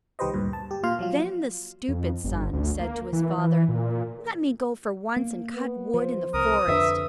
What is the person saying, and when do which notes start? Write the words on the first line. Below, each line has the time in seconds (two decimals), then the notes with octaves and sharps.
Then the stupid son said to his father, "Let me go for once and cut wood in the forest."
0.19 C2 D#3 G4 B4 C5 D#5
0.34 D2 G2 A#2
0.53 A5
0.71 G4
0.83 A#2 F4 F5 C6 F6
0.99 F3 F#3 F4
1.88 F2
2.24 G1
2.53 D2
2.79 A#3
3.13 E3
3.38 E3
3.69 A#2
5.16 A#3
5.55 B3
5.94 F3 C5
6.34 C2 A#4 D#6
6.68 F2 D3 B4 E5